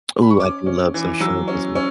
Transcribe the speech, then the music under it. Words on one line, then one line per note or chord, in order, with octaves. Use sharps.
Ooh, I do love some shrimp with some
B5
C#6
C#4 D6
C#4
E3
F#3 E6
C#4
C#4